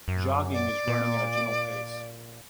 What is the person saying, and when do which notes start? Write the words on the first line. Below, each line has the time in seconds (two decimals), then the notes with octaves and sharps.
Jogging is running at a gentle pace.
0.08 F#2
0.52 D5
0.88 A#2